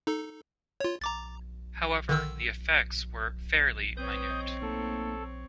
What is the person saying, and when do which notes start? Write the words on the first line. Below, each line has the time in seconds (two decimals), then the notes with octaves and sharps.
However, the effects were fairly minute.
0.07 D#4 A4
0.80 F4 C#5
1.02 A#5 D6 A6
2.09 D3 D#3 E6
3.97 C4 B4 C#5 D#6 G6
4.31 D#5
4.62 A3 A#3 D#4 A4